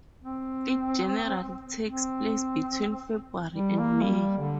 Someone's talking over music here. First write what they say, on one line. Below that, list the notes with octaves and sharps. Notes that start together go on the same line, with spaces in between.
It generally takes place between February and May.
C4
C4
G3
A#3
G3
D3